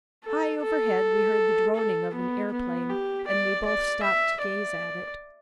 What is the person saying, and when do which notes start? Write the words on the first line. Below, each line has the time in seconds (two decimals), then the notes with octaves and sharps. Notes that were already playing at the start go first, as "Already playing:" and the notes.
High overhead we heard the droning of an aeroplane and we both stopped to gaze at it.
0.24 A4
0.63 A4
1.76 A4
2.14 B3
2.52 B3
2.90 G4
3.28 D5
3.65 D5
4.03 E5
4.42 D5